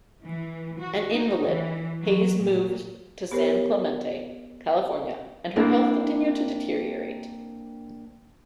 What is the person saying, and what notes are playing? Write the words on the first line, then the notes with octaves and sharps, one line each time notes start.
An invalid, Hayes moved to San Clemente, California and her health continued to deteriorate.
E3
F#4
D#4
E3
F#3
A#2
B3 G4 A#4 C5 C#5
A#3 C4 D4 E4 A#4